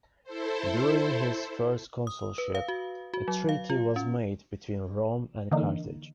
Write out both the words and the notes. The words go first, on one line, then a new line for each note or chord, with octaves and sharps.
During his first consulship, a treaty was made between Rome and Carthage.
E4 A4 C5
D#6
B4
F5
F#4
F#4
F#3
F5
F4
C#4
D3 E3 A#3 D#4